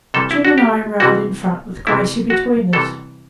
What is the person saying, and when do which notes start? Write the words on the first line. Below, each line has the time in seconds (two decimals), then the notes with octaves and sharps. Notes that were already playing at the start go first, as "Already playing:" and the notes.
Jim and I rode in front, with Gracey between us.
0.14 C3 E3 G3 A4
0.31 E4
0.45 F#4
0.58 G4
1.00 C3 E3 G3 F#4
1.87 C3 E3 G3 E4
2.30 F#4
2.73 C3 E3 G3 A4